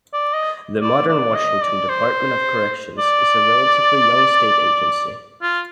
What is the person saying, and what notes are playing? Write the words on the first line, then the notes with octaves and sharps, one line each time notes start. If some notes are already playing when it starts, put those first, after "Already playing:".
The modern Washington Department of Corrections is a relatively young state agency.
D5
D#5
D5
D5
D#5
D5
C5
D5
F4